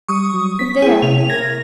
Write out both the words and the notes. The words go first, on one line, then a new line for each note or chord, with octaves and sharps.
But there!
G3 C#6 D#6
F#3
B3 B6
E4 G#4 G5
C3 F7
A#4 G#6 A#6